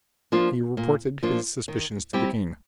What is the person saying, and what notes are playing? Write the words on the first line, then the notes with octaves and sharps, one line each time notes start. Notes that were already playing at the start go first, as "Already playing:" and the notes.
He reported his suspicions to the king.
F3 A#3 D4 F4
A#2
F3 A#3 D4 F4
D#3
G3 C4 E4 G4